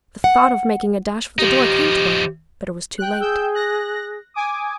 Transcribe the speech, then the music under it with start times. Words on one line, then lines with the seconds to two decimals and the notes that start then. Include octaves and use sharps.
The thought of making a dash for the door came to her, but it was too late.
0.24 F#5
1.39 F3 D#4 G4
2.98 G5 F#6
3.20 G#4 G5 E6 G6
3.54 F#6 A#6
4.34 G#5 D6 D#6